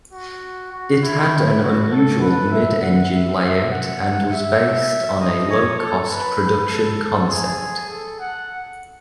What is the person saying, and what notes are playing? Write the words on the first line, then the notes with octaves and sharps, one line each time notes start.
It had an unusual mid-engine layout and was based on a low-cost production concept.
F#4
F#4
E4
F#4
A4
B4
E5
F#5
E5
E5
F#5
F#5
E5
D#5
C#5
A4
B4
A4
G#4
A4
F#5